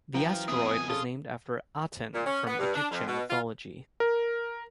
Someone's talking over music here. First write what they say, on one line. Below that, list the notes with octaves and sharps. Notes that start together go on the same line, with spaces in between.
The asteroid was named after Aten from Egyptian mythology.
F#2 E3 F3 G5 A#5 D7
F2 B3 C4 G#4 E5 D#6
B2 G#5
C#4 F4 G#4 A4
A#2
C#4
B3
G2
D4
F2
B2
F4
A#4